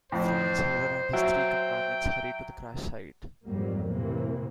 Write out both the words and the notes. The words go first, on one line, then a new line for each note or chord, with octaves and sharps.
Franz Hailer and his three companions hurried to the crash site.
F2 A2 C5
F#3 E5 G5
F2 G#2 F#3 G3 A#3
A2 C3 E3 A#3